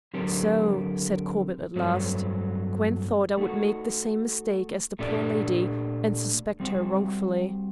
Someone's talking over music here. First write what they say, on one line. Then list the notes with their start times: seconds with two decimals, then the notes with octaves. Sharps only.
"So," said Corbett at last, "Gwen thought I would make the same mistake as the poor lady, and suspect her wrongfully."
0.14 D3 F#3 C4 G4 A#4
1.76 G2 F#3 A3 C4
3.37 A3 D#4 F#4
4.99 A#2 A3 D4 G4 D5
6.60 G3 C4 F#4